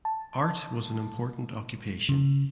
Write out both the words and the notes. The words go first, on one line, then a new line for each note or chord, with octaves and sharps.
Art was an important occupation.
A5
C#3